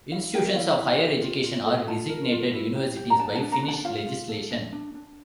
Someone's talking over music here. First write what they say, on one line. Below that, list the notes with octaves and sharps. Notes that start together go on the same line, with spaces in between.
Institutions of higher education are designated universities by Finnish legislation.
E4 F5
A#4 G5
E5
E4 F5
E4
G4
F4
F4
A4
F4 A5
A#4
F4
E4
G4
G4
A#5
D4 A5
A5
D4
A#5
D4
A5
F4 F5
F4
A4
D4
D4
D4